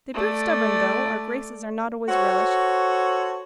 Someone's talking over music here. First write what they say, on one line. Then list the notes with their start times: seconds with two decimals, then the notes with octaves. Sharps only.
They prove stubborn though; our graces are not always relished.
0.14 A3 D5
2.09 F#4 A4 C5 C#5